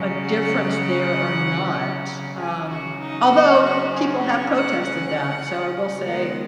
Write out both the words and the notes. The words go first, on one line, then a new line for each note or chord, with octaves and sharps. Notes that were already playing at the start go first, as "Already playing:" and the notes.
a difference there, or not, um, although people have protested that. So, I will say,
Already playing: C#3 F#3 C#4
F#5
C#3 F#3 C#4 G#5
F#4
D#4
F#4
F#4
G#4
C#5
F#5
F#5
D#3 G#3 B3 F#5